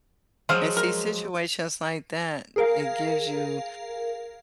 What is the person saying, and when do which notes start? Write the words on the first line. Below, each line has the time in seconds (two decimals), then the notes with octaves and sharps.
And see situations like that, it gives you
0.49 F3 F#3 G#3 C5 F5
0.77 A#4
2.56 G#4 A#4 F5